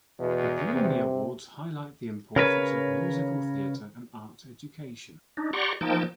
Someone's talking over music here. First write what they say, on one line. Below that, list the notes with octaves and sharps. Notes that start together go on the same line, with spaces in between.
The Blumey Awards highlight the importance of musical theater and arts education.
E2 B2
C3
C#3 A#4 B4 C#5
D4 D#4
G4 D5 F#5 A#5 C6 C#6
F3 A#3 D#4 G5 A5